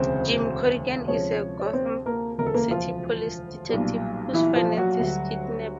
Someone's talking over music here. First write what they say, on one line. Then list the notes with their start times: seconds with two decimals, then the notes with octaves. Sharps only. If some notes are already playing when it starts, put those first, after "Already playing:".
Jim Corrigan is a Gotham City Police Detective whose fiancee is kidnapped.
Already playing: E1 D2 C#3 C4 C5
1.08 D2 C3 F3 G#3 C#4 C#5
1.59 D5
1.66 C#5
1.73 C4 C5
2.06 A#3 A#4
2.38 E1 D2 C#3 A#4
2.46 A4
2.54 A#3 A#4
2.71 F3 F4
3.69 B1 A#2 G3
4.33 E3 E4
4.56 F3 F4
4.77 F#3 F#4
4.99 D2 D3 G3